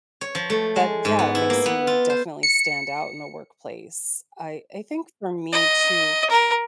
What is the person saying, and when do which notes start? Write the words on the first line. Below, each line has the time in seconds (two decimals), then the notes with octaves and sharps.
that yeah, it makes you definitely stand out in the workplace. I I think for me too,
0.21 C#5
0.35 F3
0.50 A3
0.76 G#3
1.05 G#2
1.19 B3
1.35 E4
1.50 A#3
1.66 B3
1.87 F4
2.10 C5
2.43 C#7
5.52 D#5
6.30 A#4